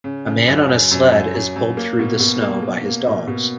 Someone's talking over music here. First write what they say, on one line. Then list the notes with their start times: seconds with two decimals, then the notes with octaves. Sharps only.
A man on a sled is pulled through the snow by his dogs.
0.04 C#3
0.26 C#3
0.48 F#2
0.70 F#2
0.91 F#2
1.12 F#2
1.34 F#2
1.56 F#2
1.77 A#3
1.99 B2
2.20 B2
2.42 A#3
2.63 A#3
2.85 A#3
3.07 B2
3.27 B2